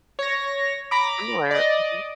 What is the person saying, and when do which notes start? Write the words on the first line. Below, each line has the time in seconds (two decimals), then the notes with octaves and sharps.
similar. Mhm.
0.19 C#5 A#6
0.91 A#5 B5 D6
1.51 D5 D#5